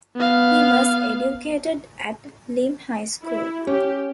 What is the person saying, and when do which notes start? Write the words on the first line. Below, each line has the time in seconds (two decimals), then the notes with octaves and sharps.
He was educated at Lymm High School.
0.16 B3 F5
3.23 E4
3.67 C#4 G4